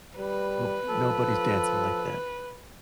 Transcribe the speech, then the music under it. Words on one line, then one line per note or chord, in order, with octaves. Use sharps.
No nobody's dancing like that.
G3 B4
F3 A4